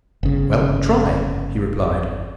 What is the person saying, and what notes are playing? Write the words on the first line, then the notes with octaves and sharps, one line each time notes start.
"Well, try," he replied.
G1 C#3